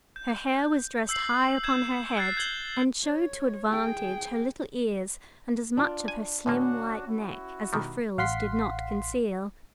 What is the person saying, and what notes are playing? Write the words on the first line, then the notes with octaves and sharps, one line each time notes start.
Her hair was dressed high upon her head, and showed to advantage her little ears and as much of her slim white neck as the frills did not conceal.
G6
E6 G6 C7 F#7
G6 G#6 E7
F#6 G#6 A6 C7
G6 G#6 F#7 G7
C#5
G#4 G5
D4 F4
G#5
A2 D3 A#3 C#4 D4 F#4
E4 F#4
B2 D#3 G3
A1 F5 F#5 C6 B6 C7